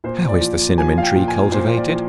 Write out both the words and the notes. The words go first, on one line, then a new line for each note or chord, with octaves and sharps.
How is the Cinnamon Tree cultivated?
A#2 C5
D5
F3
F3 G#5
F5
G5
A#2
G#5
A#2 C5
D5
F3